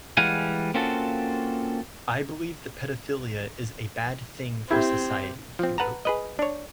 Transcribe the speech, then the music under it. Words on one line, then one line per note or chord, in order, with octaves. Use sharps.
"I believe that pedophilia is a bad thing for society," he wrote.
E3 G3 G#3 F5 F#5 G#5
A#3 C4 C#4 F4 F#4 A4
C4 E4 G4 E5 G#6
F3 C4
B4 F#5 A5 A#5
G#4 B4 D#5
D4 C#5